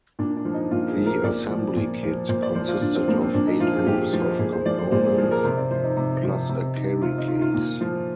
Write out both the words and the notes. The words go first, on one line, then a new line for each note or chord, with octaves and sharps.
The assembly kit consisted of eight groups of components, plus a carry case.
A#2 D4
D4
F3
D#4
A#2 F4
G#4
F3
A#4
A#2 D5
F3
A#2
F3
A#2 C5
D5
F3 C5
F4
A#2 D4
C4
F3 A#3
C4
A#2 D4
D#4
F3 F4
G#4
A#2 G4
F3
A#2 G#4
C5
F3 D5
C5
A#2 C5
G#4
F3 G#4
A#4
C3 C5
D5
F3 C5
D#4
C3
F3
C3
D#3
C3 F4
D#4
D#3 F4
F4
A#2
F3